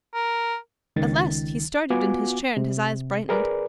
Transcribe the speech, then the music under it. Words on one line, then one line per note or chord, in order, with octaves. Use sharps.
At last he started in his chair, and his eyes brightened.
A#4
C#2 D#3 A6
B3 F4 F#4 G#5 D6
C3
G#4 A#4 B4 D5